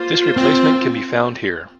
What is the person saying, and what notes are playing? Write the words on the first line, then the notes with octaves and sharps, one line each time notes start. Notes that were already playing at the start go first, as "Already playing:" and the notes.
This replacement can be found here.
Already playing: A#3 F4 C5
C4